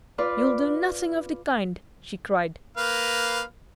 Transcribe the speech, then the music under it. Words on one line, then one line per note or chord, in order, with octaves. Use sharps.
"You'll do nothing of the kind!" she cried.
F4 B4 D5
A#3 B4 F5